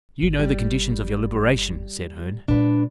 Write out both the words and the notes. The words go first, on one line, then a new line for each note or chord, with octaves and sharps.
"You know the conditions of your liberation?" said Herne.
G1
G3
A#2 G#3 D4 B4